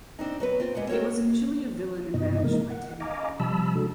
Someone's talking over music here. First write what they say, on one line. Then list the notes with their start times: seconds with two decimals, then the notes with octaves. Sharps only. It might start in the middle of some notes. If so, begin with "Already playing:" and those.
He was initially a villain and managed by Teddy Long.
0.19 C4 D4 D#4
0.40 F#3 B3 B4
0.60 C4 F4
0.75 D#2 G#3 B3 F#5
0.89 C4 F#4 A#4 C#5
2.14 G2 C3 B3 D#4 D#5
2.44 E3 G#3 A#3 D#4 A#4
2.70 F#5
3.00 D#5 F5 G#5 A#5 D6
3.40 C3 F3 G3 A5 B5 E6
3.75 G#3 D4 F#4 A4